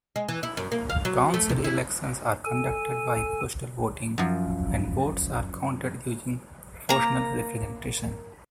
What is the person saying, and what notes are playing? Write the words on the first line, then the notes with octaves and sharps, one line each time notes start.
Council elections are conducted by postal voting and votes are counted using proportional representation.
G#3
E3
E4
F#2
A#3
F5
F#3
A3
C3
E4
A4 G#5
F#2 F3
A#3 A#5